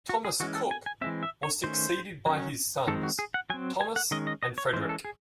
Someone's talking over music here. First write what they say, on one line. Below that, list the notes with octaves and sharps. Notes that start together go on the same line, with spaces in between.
Thomas Cooke was succeeded by his sons, Thomas and Frederick.
F#4
G#4
E3 G#3 C#4 F#4
A4
G#5
G#5
E3 G#3 C4 E5
E5
C#5
D#3 A3 C#4 C5
F#3 C#4
D#3 G#3 C4 A4
F#4
G#4
F#5
F#3 C4 G#5
G#5
F#5
D#3 G#3 C#4 D#5
D#5
D#5
C#5
E3 G#3 C#4 C5
A4
G#4